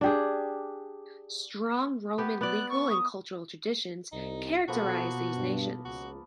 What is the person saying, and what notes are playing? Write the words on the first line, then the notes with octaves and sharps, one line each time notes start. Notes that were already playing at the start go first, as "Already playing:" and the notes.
Strong Roman legal and cultural traditions characterize these nations.
D4 G4 G#4
B3 G4
B3 D5 F#6
C#6
D#6
C2 D#4
A#1 B2 F3 A#3 B3 F#4 A4
G2
C#2 F#4